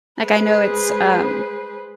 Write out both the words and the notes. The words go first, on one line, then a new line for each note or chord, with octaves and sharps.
Like I know it's, um
G#3 G#4 B4 C5